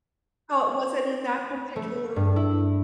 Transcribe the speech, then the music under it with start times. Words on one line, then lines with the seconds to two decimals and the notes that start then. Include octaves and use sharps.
Oh, was it in that particular
1.76 A3
2.16 G2
2.36 E4